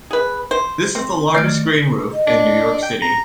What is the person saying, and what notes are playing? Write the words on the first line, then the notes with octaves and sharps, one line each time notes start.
This is the largest green roof in New York City.
G#4 B4
C5
C4
D#3 A3 D5 F6
D#5
D4
G5
A#5